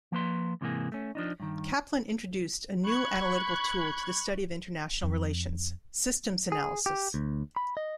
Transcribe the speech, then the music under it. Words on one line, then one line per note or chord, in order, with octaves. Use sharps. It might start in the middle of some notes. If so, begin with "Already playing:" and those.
Kaplan introduced a new analytical tool to the study of international relations, "systems analysis".
F3 A#3 B4 C6
G#2 C3 E3 G#3 A#3 G#4
A3 C#4
F3 D4 D#4
G2 D#3
B5 C#6 F#6 G#6
F2
G#4
G4
D2
B5
D#5